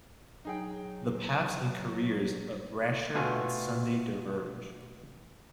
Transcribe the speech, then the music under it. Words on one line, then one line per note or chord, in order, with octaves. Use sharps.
The paths and careers of Brashear and Sunday diverge.
F#3 D#4 G#4 G5
B2 A3 F4 G#5